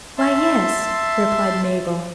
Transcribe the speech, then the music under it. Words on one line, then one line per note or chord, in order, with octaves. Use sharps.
"Why, yes," replied Mabel.
E5 A5 C6